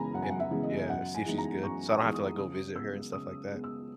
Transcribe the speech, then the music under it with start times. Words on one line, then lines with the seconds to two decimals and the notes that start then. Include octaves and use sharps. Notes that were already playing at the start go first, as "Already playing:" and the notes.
and, yeah, see if she's good. So I don't have to, like, go visit her and stuff like that.
Already playing: F#2 C#3 E3 G#3 B3 G#5 A#5 B5
0.14 F#2 F#5
0.22 G#5
0.30 F#5
0.40 E5
0.51 C#3 E3 G#3 B3
0.63 D#5
0.90 F#2 F#5
1.14 G#5
1.26 E3 G#3 B3 D#4
1.38 A#5
1.63 F#2 C#6
1.89 D#6
2.01 E3 G#3 B3 D#4
2.14 D#6
2.38 C#3 D#6
2.75 G#3 B3 E6
3.13 C#3 D#6
3.51 G#3 B3
3.64 E6